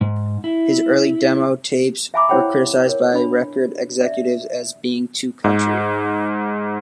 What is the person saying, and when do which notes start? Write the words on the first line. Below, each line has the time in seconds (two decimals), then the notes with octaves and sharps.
His early demo tapes were criticized by record executives as being too country.
0.01 G#2
0.44 E4
2.14 E5 F5 G#5 A#5 B5 D6
2.29 E4 C5 C#5 F#5 G5 B5
2.87 A#4 C#5
3.14 D4 B5
4.01 D5 E5
5.44 G#2